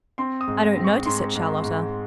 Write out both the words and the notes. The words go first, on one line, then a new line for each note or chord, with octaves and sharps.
"I don't notice it, Charlotta."
C4 C6
D#6
G#2
A#6
C4
C#6
G#2 C6
G#2
G#2